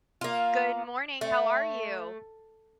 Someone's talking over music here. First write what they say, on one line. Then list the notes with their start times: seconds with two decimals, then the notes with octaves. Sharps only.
Good morning. How are you?
0.21 A#3 F4
1.21 A3